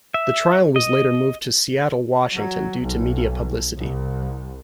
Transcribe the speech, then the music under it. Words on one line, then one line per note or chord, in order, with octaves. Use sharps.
The trial was later moved to Seattle, Washington due to media publicity.
E5
D#5
F#3
B1
C2